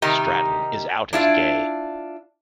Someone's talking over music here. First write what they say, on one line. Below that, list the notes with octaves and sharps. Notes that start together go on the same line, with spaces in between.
Stratton is out as gay.
C3 D#3 G3 D#4 G4
D4 E4 F4